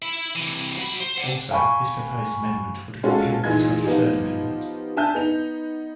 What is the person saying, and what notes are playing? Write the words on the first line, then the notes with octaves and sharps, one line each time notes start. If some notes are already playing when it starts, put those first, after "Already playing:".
Also, this proposed amendment would have repealed the Twenty-third Amendment.
E5 B5
C3 E3
F#3 B5
C5
D5 F#5
F5 G5 G#5 B5 C#6
G#3 C#4 F4 F#4 A4
A#2 E3 D#4 G#4 G#6
F3 B3 D#4 F4 G4
D4 E5 G#5 A5 G6
B3 D#4 F7